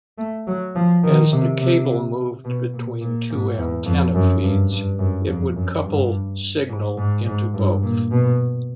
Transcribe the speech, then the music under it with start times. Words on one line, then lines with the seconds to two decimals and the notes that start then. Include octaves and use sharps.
As the cable moved between two antenna feeds, it would couple signal into both.
0.18 A3
0.47 F#3
0.76 F3
1.04 D#3
1.32 C3
1.60 C3
2.44 B2
2.74 A#2
3.01 A#2
3.30 G#2
3.58 E2
3.86 F2
4.15 F#2
4.43 G2
4.72 G2
4.99 F#2
5.27 F2
5.56 F#2
5.85 G2
6.69 G#2
6.97 G#2
7.26 G#2
7.54 G2
7.82 A#2
8.11 B2